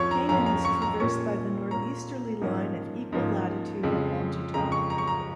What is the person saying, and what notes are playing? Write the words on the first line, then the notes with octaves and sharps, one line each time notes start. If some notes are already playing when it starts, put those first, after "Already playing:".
Kanem is traversed by the northeasterly line of equal latitude and longitude.
Already playing: F2 F3 C#4 C#5 C#6
A#5
F2 F3 C#4 A#5
A#5
C#6
A#5
A#2 A#3 C#4 C#6
A#2 A#3 C#4 A#5
G#2 F3 A#3 C#4
G#2 F3 A#3 C#4
F2 C#3 G#3
F2 C#3 G#3 A#5
C#6
A#5
C#6
A#5